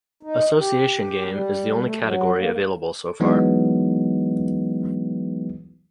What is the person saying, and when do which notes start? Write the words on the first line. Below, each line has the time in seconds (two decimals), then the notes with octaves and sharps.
Association game is the only category available so far.
0.23 D#4
0.58 G4
1.28 G3
1.82 A3
2.01 F#3
2.36 A#3
3.20 E3 F#3 G#3 B3 D#4